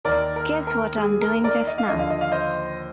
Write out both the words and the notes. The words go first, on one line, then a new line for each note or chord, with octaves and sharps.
Guess what I'm doing just now.
D#2 D#3 A#4 D5
A#4
A#4
G#4
A#4
A#4 D5
D#5
F5
D#2 D3 F3 D#5
F5
D#5
F5
C5 D#5